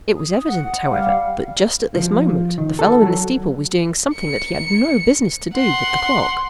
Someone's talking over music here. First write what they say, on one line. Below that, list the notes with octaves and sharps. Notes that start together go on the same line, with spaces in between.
It was evident, however, that just at this moment the fellow in the steeple was doing something that he had no business to do with the clock.
D#6
F#5
G3 F5
F3
D#3
A4
F#3
C#7
F#5 C6